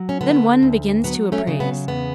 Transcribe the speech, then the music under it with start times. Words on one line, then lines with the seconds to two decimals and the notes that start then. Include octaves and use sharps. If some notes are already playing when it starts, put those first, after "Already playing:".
Then one begins to appraise.
Already playing: F#3
0.09 C#4
0.21 D3 B3
0.63 D2
1.04 F#3 B3
1.32 A3 C#4
1.47 C#3
1.60 B3
1.88 E2 B3